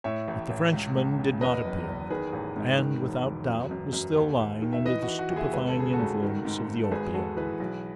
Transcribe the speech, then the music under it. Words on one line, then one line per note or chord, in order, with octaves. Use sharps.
But the Frenchman did not appear, and, without doubt, was still lying under the stupefying influence of the opium.
A2 C#5 E5
A1
A1
C#2
C#2
C#3
E2 B4 D#5
F#1
E2
D#3 G#4 B4
A1
G#2
D#3
E1
E1
F#2
F#2
F#2
D#2
D#2
D#3
E5
E3 B4 D#5
F#4
E3
F#4
D#2
E4 G#4
G#1 B4
A4
C#3 G#4
F#4 A4
G#1
D#3
G#2
G#2
A4
G#1 G#4 B4
G#1 F#4 A4
E3 G#4 B4
B1